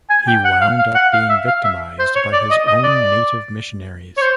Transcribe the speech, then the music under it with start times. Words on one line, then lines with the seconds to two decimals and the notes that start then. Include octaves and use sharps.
He wound up being victimized by his own native missionaries.
0.10 G#5
0.28 G5
0.45 F#5
0.61 F5
0.79 F5
0.95 F#5
1.13 F5
1.30 E5
1.47 F5
1.64 E5
1.99 C5
2.16 C#5
2.33 D5
2.51 D#5
2.67 D#5
2.84 D5
4.17 C#5
4.21 C5